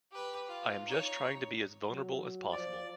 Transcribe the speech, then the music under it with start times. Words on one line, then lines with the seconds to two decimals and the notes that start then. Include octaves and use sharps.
I am just trying to be as vulnerable as possible.
0.12 G4 B4
0.48 F4
0.86 D#4 C#5
1.91 F#3
2.53 F3 D5